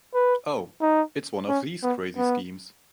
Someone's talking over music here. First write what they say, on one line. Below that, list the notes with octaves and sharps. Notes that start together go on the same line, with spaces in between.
Oh — it's one of these crazy schemes.
B4
D#4
C#4
B3
B3